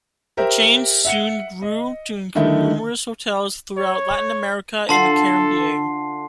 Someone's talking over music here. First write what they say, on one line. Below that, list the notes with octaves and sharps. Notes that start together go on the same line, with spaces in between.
The chain soon grew to include numerous hotels throughout Latin America and the Caribbean.
G4 A#4 C5 E5
E5 F#5 C#7
D#5
D3 D#3 A3 D#4 E4
C#5
D3 F4 A4 A5 C6 C7